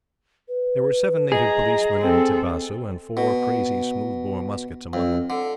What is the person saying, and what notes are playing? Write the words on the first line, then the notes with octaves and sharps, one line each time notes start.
There were seven native policemen in Tibasu, and four crazy smooth-bore muskets among them.
B4
G#4 D#5 A#5
C4 A4
B2
F2
D3